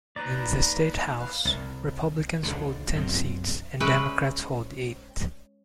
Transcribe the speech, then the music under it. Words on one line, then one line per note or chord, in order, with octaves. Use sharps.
In the state house, Republicans hold ten seats and Democrats hold eight.
D#2 B4 D5 A#5
B4 F5
C2
D#1 C#2 D3
A#1 F#2 B2 C4
G#3 C#4 B4 E5 G5